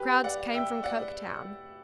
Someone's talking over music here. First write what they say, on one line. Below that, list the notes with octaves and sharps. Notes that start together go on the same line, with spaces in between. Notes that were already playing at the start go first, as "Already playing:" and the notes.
Crowds came from Coketown.
Already playing: G4 B4
D5 F#5
E5 G5
D5 F#5